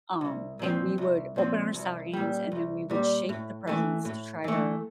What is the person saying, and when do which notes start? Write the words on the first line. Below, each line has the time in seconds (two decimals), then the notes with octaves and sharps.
um, and we would open our stockings and then we would shake the presents to try to
0.21 C2
0.59 A#2 F3 C4
0.98 C2
1.36 A#2 F3 C4
1.74 C2
2.13 A#2 G3
2.52 C2
2.90 A#2 G3
3.29 A2
3.67 E3 A3
4.05 A2
4.44 E3 A3